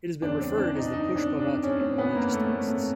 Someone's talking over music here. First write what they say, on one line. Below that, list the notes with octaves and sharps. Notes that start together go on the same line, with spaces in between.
It has been referred as the Pushpavati in religious texts.
E2 C#3 E3 D4
C4
D4
D#4
D#4
D4
D4
C#4
C4
B3
A#3
A3
A3
A3